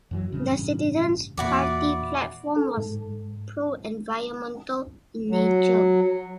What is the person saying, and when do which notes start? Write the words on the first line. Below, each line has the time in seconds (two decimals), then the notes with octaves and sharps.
The Citizens Party platform was pro-environmental in nature.
0.11 F#2 E3 F#3
0.32 A1 G2 C#3
1.37 E2 A#2 E4 F#4 D5
2.56 A4
2.77 G#2
5.30 F#3